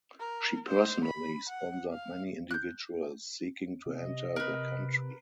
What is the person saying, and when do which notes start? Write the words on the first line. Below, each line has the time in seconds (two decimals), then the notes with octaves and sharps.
She personally sponsored many individuals seeking to enter the country.
0.20 A#4
0.68 C5
1.05 B5
1.49 F#5
1.92 F5
2.51 F#6 G6
3.86 C3 D#5
4.36 A#4 B4